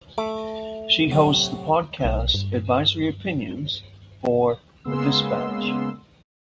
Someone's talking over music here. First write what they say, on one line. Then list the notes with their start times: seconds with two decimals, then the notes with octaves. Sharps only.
She hosts the podcast "Advisory Opinions" for "The Dispatch".
0.18 A3 D6
1.11 A2 C3 F#3
2.05 B1
2.34 G2
4.84 C#3 G#3 A#3 B3 C6 E6